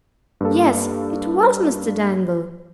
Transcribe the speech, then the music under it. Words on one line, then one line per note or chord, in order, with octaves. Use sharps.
"Yes--it was Mr. Dangle."
G2 A#3 A4